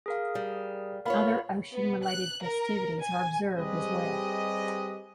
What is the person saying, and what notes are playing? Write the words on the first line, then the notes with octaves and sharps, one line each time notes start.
Other ocean-related festivities are observed as well.
G#4 A#4 F5
G3
B3 F4 A#4 C#5 F5 B5
B3
F#6
A#4
G#5
G3 C4 G4 G#4 B4 D#5